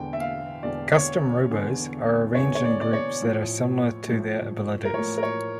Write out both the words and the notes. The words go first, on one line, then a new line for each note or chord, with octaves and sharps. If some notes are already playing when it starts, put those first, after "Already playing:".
Custom Robos are arranged in groups that are similar to their abilities.
Already playing: E1 E2 D3 G5
E5
F5
E1 E2 D3 D5
C#5
E1 E2 D3
E1 E2 D3 C#5
C#5
D5
D5
C#5
A1 A2 F3
A1 A2 F3
A#4
A1 A2 F3 C#5
A#4
C#5